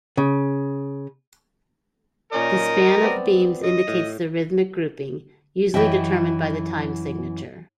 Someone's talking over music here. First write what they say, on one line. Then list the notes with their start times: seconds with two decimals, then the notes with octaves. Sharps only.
The span of beams indicates the rhythmic grouping, usually determined by the time signature.
0.17 C#3
2.33 A#2 C#4 A#4 D5 D#5
3.03 B3 C4 D5
3.64 F#2 D#5
3.88 A2
5.74 F#2 E3 D#5 E5 G5